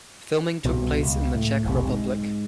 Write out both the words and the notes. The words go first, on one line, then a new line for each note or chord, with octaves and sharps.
Filming took place in the Czech Republic.
C2 B2
C#2
A2
F1 B1 C3
G#2